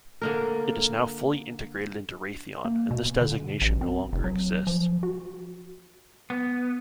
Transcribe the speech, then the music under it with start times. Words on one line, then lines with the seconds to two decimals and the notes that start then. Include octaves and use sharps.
It is now fully integrated into Raytheon and this designation no longer exists.
0.22 D3 A#3 A#4
2.65 A#3
2.91 B2
3.21 D3
3.61 A1
3.81 C4
4.13 F1
4.24 F#3
4.67 F3
5.03 F#4
6.30 B3